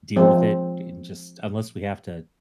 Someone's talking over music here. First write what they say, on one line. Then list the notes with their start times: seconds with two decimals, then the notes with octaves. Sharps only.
deal with it and just unless we have to,
0.16 F3 G#3 C4